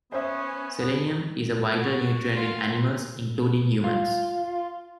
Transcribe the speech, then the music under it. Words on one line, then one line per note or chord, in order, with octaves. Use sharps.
Selenium is a vital nutrient in animals, including humans.
B3 C#4 C5 E5
F#4
F4
F4